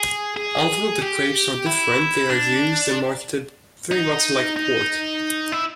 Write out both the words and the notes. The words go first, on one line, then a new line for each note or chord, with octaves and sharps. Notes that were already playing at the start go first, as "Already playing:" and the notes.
Although the grapes are different, they are used and marketed very much like port.
Already playing: G#4
G#4
G4
E4
D4
D#4
D#4
E4